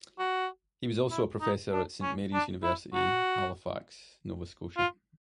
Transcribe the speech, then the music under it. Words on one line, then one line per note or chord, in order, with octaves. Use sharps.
He was also a professor at Saint Mary's University, Halifax, Nova Scotia.
F#4
E4
D#4
D4
C#4
D4
E4
F#4
F4